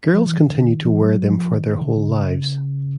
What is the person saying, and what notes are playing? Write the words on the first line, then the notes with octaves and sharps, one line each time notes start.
Girls continued to wear them for their whole lives.
F3
E3
D#3
D3
D#3
E3
F#3
F3
D#3
D3
D3
C#3